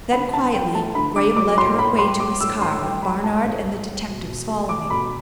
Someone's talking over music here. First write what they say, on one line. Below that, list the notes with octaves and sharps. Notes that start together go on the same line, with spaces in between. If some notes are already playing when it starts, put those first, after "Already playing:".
Then, quietly, Graham led her away to his car with Barnard and the detectives following.
D3 B5
D3 A5
F#3 G5
A3 A5
D3 B5
D3 D6
F#3 D6
A2 C6
A2 B5
G3 C6
G3 D6
A2 E6
A2 C6
G3 G5
G3 B5
A2 A5
A2
G3
G3
B2
B2
A3
A3 D6
B2 B5